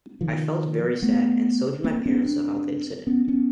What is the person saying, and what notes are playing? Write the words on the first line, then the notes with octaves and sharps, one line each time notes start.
I felt very sad, and so did my parents about the incident.
D#3 F3
A3 B3
A#3 C4
B3 C#4
C4 D4
B3 C#4
B3 C#4